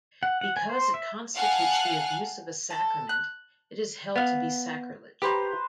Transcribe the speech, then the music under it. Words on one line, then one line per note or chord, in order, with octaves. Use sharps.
Because it constitutes the abuse of a sacrament, it is held to be sacrilege.
F#5
F#5
G#5
C5
E5
F5 F#5 G#5 A5 F6 F#6
A4
F#6
B3 F5
G4 B4 C5 A#5